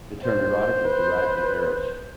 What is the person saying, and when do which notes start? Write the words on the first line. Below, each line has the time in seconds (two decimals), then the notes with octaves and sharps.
The term "erotic" is derived from "eros".
0.23 C5
0.84 B4